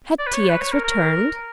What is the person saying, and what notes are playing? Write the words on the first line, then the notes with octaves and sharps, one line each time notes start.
Had T. X. returned!
D5
B4
C#5
B4
C#5
A#4
A#4